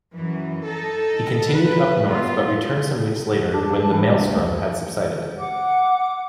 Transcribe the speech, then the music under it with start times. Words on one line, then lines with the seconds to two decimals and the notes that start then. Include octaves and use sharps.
He continued up north but returned some weeks later when the maelstrom had subsided.
0.14 F#2 E3
0.66 D#4 A4
1.52 B4
2.07 B3 F4
3.53 D4
3.72 D4
3.90 E3
4.02 D4
4.25 D2
5.38 F#5 D6